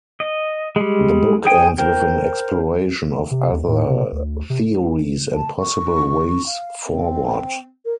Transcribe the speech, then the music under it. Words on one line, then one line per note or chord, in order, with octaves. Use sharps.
The book ends with an exploration of other theories and possible ways forward.
D#5
G3 G#3
G#4 C5 G5 G#5 D#6
A#4 C5 G5
C3
D#2
A2
C3
D2
C3
A5
C#6
F5
C4
A#4